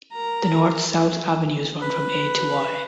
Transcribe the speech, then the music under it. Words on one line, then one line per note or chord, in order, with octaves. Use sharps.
The north-south avenues run from A to Y.
A#4 A#5
B4